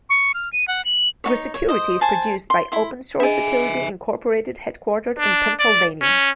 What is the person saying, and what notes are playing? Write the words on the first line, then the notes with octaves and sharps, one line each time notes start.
Grsecurity is produced by Open Source Security, Incorporated headquartered in Pennsylvania.
C#6
F6
D#7
F#5
F#7
D#4 F#4 C#5
C#5
C5 D#5
C5 G#5 A5
C6
E4 C6
D4 G#4 D#5 E5 G#5
D4
D5
C#4